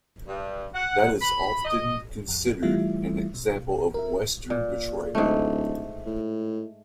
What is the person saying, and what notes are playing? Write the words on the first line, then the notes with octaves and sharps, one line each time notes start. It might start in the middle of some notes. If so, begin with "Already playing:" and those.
That is often considered an example of Western betrayal.
G2
F#5
B5
D#5
F2
E3 G3 A3 E4 F4 E5
B2
A#4 E5
A#2
D1 G#2 A3
A2